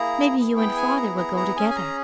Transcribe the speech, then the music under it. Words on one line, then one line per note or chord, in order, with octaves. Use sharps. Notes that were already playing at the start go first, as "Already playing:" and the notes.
May be you and father will go together.
Already playing: A#3 E4 G#4 A#5
B3 E4 G#4
G5
G#5
A#5
A#5
A#5
C#4 G#4 G#5
G#5
A#5